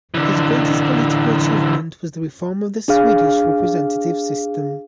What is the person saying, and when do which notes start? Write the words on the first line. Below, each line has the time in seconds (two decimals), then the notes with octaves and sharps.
His greatest political achievement was the reform of the Swedish representative system.
0.14 D3 E3
2.88 D4 G#4 F5